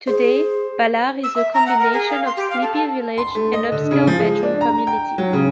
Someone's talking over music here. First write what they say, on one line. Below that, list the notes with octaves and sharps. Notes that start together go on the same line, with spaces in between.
Today, Ballard is a combination of sleepy village and upscale bedroom community.
G#4 C5
E6
E5
A#5
F#5
A#4
G#4
F5
C6
G4
F5
A4
A4
C6
A3
D#5
D3
C#3
F3
G#3
D4
A#5
G5
F#3
C#3